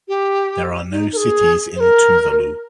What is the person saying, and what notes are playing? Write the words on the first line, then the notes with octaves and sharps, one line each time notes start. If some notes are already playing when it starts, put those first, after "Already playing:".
There are no cities in Tuvalu.
G4
D#4
A#4
G#4
C5
A#4